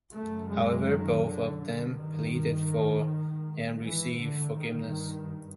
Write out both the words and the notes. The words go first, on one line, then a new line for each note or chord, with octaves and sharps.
However, both of them pleaded for, and received, forgiveness.
F#2 C#3 A3
G#3
D#3
D3
G2 D3
D#3
G#2
E3
D3
G2 D#3